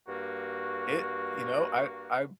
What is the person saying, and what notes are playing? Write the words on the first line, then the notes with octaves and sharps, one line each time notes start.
it you know, I I,
G2 A#3 F#4